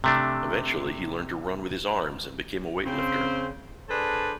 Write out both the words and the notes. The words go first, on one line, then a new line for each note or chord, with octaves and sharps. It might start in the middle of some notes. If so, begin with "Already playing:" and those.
Eventually he learned to run with his arms and became a weightlifter.
C3 A3 D4
C#3 C4 C5
D4 G#4 A4 B4 C5 D5